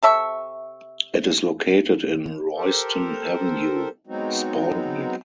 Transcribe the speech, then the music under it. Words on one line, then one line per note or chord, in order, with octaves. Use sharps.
It is located in Royston Avenue, Spaldwick.
C3 A4 E5 C#6
G4 A4 A#4 C5
F#3 G#3 B3 C4 D#4 F#4